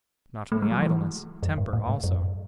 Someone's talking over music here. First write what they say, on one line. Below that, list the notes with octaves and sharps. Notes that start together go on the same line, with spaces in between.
Not only idleness, temper also.
A3
G#3
F#3
E3
F#2
G#2
A2
G#2
F#2